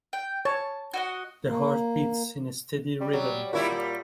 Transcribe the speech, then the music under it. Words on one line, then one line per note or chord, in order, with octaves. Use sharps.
The heart beats in a steady rhythm.
G5
C#5 A5
F#4 D#5 F#5
A#3
G3
F#3
A#2 G3 E4 F#4
G3